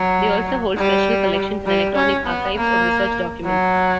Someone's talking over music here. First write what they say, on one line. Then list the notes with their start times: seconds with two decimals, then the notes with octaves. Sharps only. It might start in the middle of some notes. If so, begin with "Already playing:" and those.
They also hold special collections and electronic archives of research documents.
Already playing: F#3
0.77 G3
1.66 G3
1.95 C#4
2.25 B3
2.56 A#3
3.45 F#3